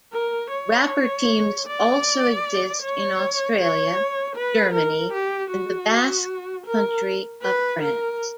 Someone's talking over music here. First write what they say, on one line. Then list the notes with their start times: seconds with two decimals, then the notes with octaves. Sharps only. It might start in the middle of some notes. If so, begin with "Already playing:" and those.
Rapper teams also exist in Australia, Germany and the Basque Country of France.
0.13 A#4
0.51 C#5
1.67 D5
2.82 C#5
3.59 C#5
4.36 B4
4.74 A#4
5.13 G4
5.50 F#4
6.66 A#4
7.43 B4
7.82 A#4